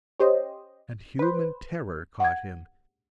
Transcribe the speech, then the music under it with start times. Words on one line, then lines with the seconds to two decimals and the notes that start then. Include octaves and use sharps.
And human terror caught him.
0.20 C#4 G4 C5 D#5
1.19 B4 C5
2.20 F#5 G#6